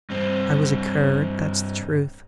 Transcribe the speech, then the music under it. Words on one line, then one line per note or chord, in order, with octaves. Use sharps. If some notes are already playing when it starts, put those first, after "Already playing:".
I was a cur, that's the truth....
G2 C4